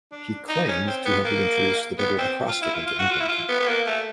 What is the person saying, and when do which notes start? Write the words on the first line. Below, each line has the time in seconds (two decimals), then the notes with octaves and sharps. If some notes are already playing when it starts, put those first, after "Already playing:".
He claimed to have reintroduced the double acrostic into England.
0.12 D4
0.49 D#4
0.68 C#4
0.87 C4
1.05 B3
1.25 A#3
1.98 B3
2.18 C4
2.48 F4
2.62 E4
2.74 F4
2.87 F4
2.99 F#4
3.11 F4
3.20 E4
3.28 F4
3.49 B3
3.60 B3
3.68 A#3
3.87 A3